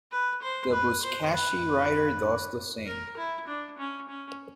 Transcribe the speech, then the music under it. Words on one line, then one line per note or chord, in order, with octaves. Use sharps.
The Buzkashi rider does the same.
B4
C5
B4
C5
B4
A#4
E4
D4
C#4
C#4